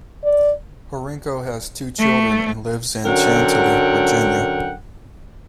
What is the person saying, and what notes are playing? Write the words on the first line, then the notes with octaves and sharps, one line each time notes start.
Horinko has two children and lives in Chantilly, Virginia.
D5
A3
F#2 D3 F#3 A#4 F#5 G5